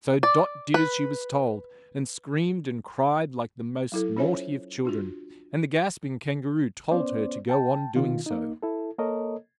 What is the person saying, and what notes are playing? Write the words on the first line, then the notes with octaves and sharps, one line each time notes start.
So Dot did as she was told, and screamed and cried like the most naughty of children; and the gasping Kangaroo told her to go on doing so.
D5
B4
F#3 E4 A4
C#4 F4 C5 C#5 E5 G#5
D4 F4 F#4
B3 C#4 C5 D5
G5 A5
B2 D#3 F4
A#3 D#4
E4 A4
A#3 A4 A#4 C#5 D#5